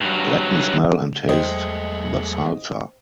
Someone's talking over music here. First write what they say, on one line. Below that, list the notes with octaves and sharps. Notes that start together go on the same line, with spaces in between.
Let me smell and taste the salsa.
G2 F#3
E2 F#3 G#3 A3 C5 D#5 G5